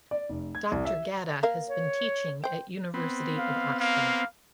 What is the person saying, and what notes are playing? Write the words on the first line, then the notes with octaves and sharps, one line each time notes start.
Dr Gada has been teaching at University of Oxford.
D5
F1
G#6
C2
E5
A#3 A#4 F5
C#5
C5 G5
B3 C4
F5
A#3 F5